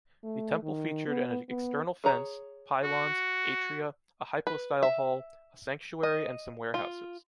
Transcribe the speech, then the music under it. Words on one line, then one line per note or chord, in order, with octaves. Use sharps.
The temple featured an external fence, pylons, atria, a hypostyle hall, a sanctuary and some warehouses.
A3
D#3
B3
B3
G#4 C#5 A#5
F#4
B4
E5
D#5
F4